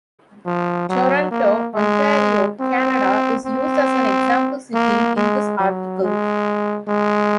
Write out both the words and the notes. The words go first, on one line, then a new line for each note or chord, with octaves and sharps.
Toronto, Ontario, Canada is used as an example city in this article.
F3
F#3
A#3
G#3
C4
C4
A#3
G#3
F#3
G#3
G#3